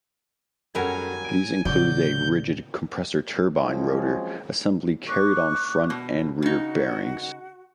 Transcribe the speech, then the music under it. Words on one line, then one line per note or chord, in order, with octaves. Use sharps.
These included a rigid compressor-turbine rotor assembly carried on front and rear bearings.
F#2 F#3 G3 A4 A#4 F#5 G#5
D7 D#7
A2 C#3 F#3 F#4 D5 G6
F3 F#3 G#3 C4 C#4
C#6 D6 F#6
B2
C#3 D#4 F#4